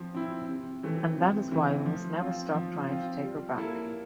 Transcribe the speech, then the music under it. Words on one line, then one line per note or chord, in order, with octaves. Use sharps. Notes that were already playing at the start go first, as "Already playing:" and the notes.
And that is why we must never stop trying to take her back.
Already playing: F3 C4
C4 E4
C3
E3 A3 C4
C3
E3 A3 C4
F3
C4 F4
F3
C4 F4
G3
A#3 E4 A4